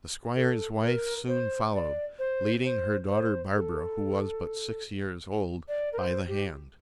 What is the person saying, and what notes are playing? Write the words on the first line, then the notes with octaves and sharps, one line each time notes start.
The squire's wife soon followed, leading her daughter Barbara, who was but six years old, by the hand.
A4
A#4
C5
D5
C5
C5
C5
A4
D5
A#4
C5
G4